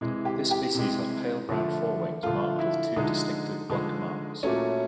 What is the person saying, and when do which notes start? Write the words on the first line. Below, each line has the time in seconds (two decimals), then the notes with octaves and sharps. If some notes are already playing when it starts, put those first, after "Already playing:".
This species has pale brown forewings marked with two distinctive black marks.
0.01 C3 E3 G#3
0.25 G4
0.51 G4
0.75 C3 E3 G#3
1.49 D3 F3 A3
2.23 D3 F3 A3 F4
2.59 E4
2.96 D3 F3 G#3 D#4
3.70 D3 F3 G#3
4.43 A#2 F#3 A3 C#4